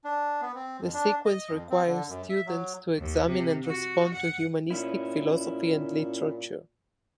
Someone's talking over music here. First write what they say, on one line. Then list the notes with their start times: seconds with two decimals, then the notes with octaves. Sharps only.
The sequence requires students to examine and respond to humanistic philosophy and literature.
0.04 D4
0.41 B3
0.55 C4
0.81 F2
0.94 D4
1.25 D#5
1.50 F2
1.70 C4
1.86 D3
2.09 F#2
2.29 E5
2.47 F#3
2.98 D#2
3.27 C3
3.64 F#4
4.14 F#5
4.71 A#2 C#4 E4